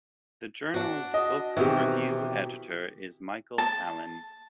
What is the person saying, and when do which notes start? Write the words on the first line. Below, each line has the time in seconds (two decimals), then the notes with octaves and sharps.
The journal's book review editor is Michael Allen.
0.74 D4 F#4
1.14 D#5
1.57 B2 D#3 E3 C4 G4
3.58 A5